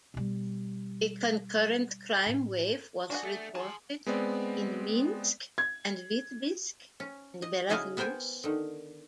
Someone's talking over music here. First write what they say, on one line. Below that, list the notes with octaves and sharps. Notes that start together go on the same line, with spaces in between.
A concurrent crime wave was reported in Minsk and Vitebsk, Belarus.
B2 G3
A2
D4 F#4 G#4 F#5
A4 E5
G#4 A5 C6
G#3 B3 C4 D5
G#6
C#4
D#5
C#3 E4 F#4 D#5 F5 G#5
B3 A#4 C5 G5 G#5
D3 D#3